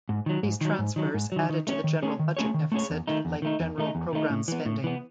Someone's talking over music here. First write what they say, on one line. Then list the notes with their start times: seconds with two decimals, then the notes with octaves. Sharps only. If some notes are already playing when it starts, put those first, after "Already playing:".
These transfers added to the general budget deficit like general program spending.
0.09 G#2
0.26 D#3 F#3
0.43 G#2
0.61 D#3 F#3
0.79 G#2
0.96 D#3 F#3
1.14 G#2
1.32 D#3 F#3
1.50 D#3
1.67 A3 C#4 G#4 C#5
1.84 D#3
2.03 A3 C#4 G#4 C#5
2.19 D#3
2.37 A3 C#4 G#4 C#5
2.54 D#3
2.72 A3 C#4 G#4 C#5
2.90 E2
3.07 D#3 A3 D#4
3.25 E2
3.42 D#3 A3 D#4
3.60 E2
3.78 D#3 A3 D#4
3.95 E2
4.13 D#3 A3 D#4
4.30 A2
4.48 E3 B3
4.66 A2
4.84 E3 B3